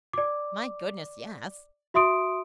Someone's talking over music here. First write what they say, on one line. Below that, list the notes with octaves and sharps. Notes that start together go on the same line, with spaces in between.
"My goodness, yes!"
D5 D6
F#4 E5 C6 D#6 D7